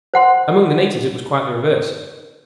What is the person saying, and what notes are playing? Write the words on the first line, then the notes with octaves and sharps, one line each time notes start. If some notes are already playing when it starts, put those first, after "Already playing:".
Among the natives it was quite the reverse.
C5 F#5 C6